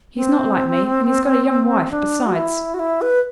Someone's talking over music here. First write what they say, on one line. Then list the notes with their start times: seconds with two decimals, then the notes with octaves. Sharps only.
He's not like me, and he's got a young wife besides.'
0.15 C4
1.91 D4
2.26 F#4
2.36 E4
2.74 F#4
2.79 E4
3.01 B4